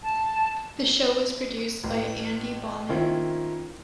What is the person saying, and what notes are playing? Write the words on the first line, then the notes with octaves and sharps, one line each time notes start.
The show was produced by Andy Bauman.
A5
A1
D#3 A#3 C4 C#4 E4 F4